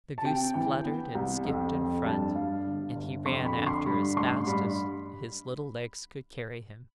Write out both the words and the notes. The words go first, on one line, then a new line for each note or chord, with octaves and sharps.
The goose fluttered and skipped in front, and he ran after as fast as his little legs could carry him.
A5
C3 G5
E3 G5
B3
C2
F2
F2
G2 A5
G2 F5
G1
G1
F2 C6
B5
D3
C6
G2 B5
A1 C6
G2 B5